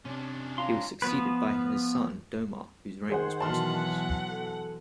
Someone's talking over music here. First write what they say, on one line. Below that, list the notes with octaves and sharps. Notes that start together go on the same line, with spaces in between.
He was succeeded by his son Domar whose reign was prosperous.
C3 C#4 D4
F4 A#5 C6
F3 B3 B4
D#3 G#4 C5 F#5
B2 E3 F#3 F#5 A5 C6 F6
A4